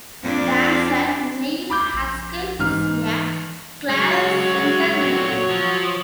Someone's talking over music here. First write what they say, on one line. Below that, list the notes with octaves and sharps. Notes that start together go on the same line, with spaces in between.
Dancer Neil Haskell is a Clarence Center native.
F2 D4
B5 D6 G6
A#1
G#2 E3 F6
F#3 G#3 C#4 C#5
A#2 C4
F3